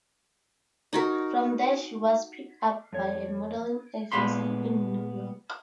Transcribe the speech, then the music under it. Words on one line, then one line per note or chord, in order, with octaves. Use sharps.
From there she was picked up by a modeling agency in New York.
D#4 F#4 A#4
F2 C#5
A#2 G#3 B3 F5 B5 C6